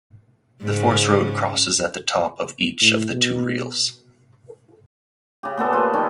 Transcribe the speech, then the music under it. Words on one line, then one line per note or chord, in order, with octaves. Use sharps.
The forest road crosses at the top of each of the two reels.
G#2 C#3 C#4
A2
B2
C#3 G4
A#2 B3 A4 A5
C#3 F4 B4
D#3 G3 C#4